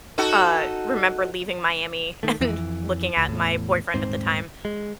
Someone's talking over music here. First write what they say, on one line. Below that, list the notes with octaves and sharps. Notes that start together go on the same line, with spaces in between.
uh, remember leaving Miami and looking at my boyfriend at the time,
D#4 F#4 A4
D#3 A3
F2 E3
C#2
E2 A2
D#1 G#2 C4
G#3